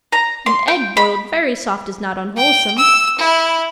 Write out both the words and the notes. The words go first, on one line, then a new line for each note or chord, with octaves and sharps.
An egg boiled very soft is not unwholesome.
A#5
C6
G5
B5
G5
E6
E4